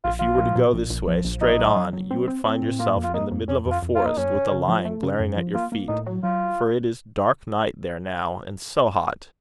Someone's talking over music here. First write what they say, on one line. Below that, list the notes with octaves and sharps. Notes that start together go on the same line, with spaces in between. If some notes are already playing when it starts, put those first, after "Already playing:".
If you were to go this way, straight on, you would find yourself in the middle of a forest with a lion glaring at your feet, for it is dark night there now, and so hot!
A#1 F4
F3 F4
A#2
A#2
A#1
A#1
F3
A#1
A2 D#4
F#3
F#3
F#3
C4
C4
C4
A2
A#3 F4
F2
F4
A#3 D#4
F2
F2 C#4
F2
F4
F2
A#3 F4
D#4
F#2 C#4
C#3
C#3
F3
A3
C#3
F#2
F3
A#3 F4
A#3
A2 D#4
F#3
F#3 F4